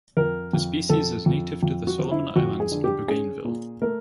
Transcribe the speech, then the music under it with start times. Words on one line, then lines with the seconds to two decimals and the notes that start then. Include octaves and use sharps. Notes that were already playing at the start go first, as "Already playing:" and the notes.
The species is native to the Solomon Islands and Bougainville.
0.17 F2 A#4
0.53 F2
0.89 F2 A4
1.26 F2
1.63 F2
1.87 F#4
1.99 F3
2.11 E4
2.36 F2 F#4
2.60 G#4
2.72 D3
2.84 G4
3.08 C#4 G#4
3.45 A#2
3.82 A3 A#4